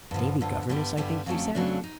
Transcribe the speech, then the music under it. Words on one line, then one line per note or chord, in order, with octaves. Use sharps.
"A daily governess, I think you said?"
G2 D3 F3
G2 D3 F3
G2 D3 G3 B3
G2 D3 G3 B3
F2 C#3 F#3 A3 D4
F2 C#3 F#3 A3 D4
D#4